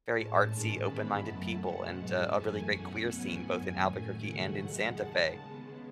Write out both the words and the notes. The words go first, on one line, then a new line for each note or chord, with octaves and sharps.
very artsy, open-minded people, and a really great queer scene both in Albuquerque and in Santa Fe,
A2 G#3 C#4 A5
G#2 D#3 G#3 C#4 A5
G#2 E3 G#3 B3 B5
F#2 C#3 F#3 A3 A5
B2 G#3 C#4 F#5
G#2 F#3 C#4 A5
F#2 E3 A3 G#5
E2 B2 A3 C#4 F#5
G#2 F#3 B3 G#5
F#2 D#3 F#3 C#4 G#5
A2 F#3 A3 C#4 G#5
D#2 C#3 F#3 A3 F#5
D#2 C#3 G#3 F#5
D#2 C#3 G#3 A5
C#3 G#3 B3